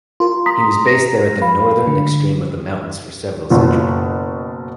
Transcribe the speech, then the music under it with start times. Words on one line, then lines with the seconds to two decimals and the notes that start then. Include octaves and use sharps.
He was based there at the northern extreme of the mountains for several centuries.
0.20 F4 A#4 C6
0.46 A#5 C6 D#6 B6
0.87 A#6
1.42 F5 B5
1.87 D3
3.50 F#1 B2 F4